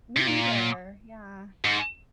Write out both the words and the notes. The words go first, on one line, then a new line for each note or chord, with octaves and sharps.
Me neither, yeah.
C3
A#2
G#2